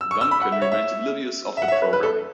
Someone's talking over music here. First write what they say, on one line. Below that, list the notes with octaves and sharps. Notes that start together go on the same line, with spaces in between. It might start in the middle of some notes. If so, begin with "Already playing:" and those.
Duncan remains oblivious of the programming.
E6
C#6
E6
B5
F#5
E5
C#5
E5
E5
F#5
E5
C#5
B4
B4
A4